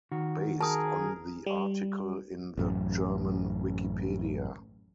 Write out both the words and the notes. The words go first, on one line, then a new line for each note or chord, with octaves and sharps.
Based on the article in the German Wikipedia.
D#3 F#4
G#4 A#4 A5 D#6
G3
A1 F#2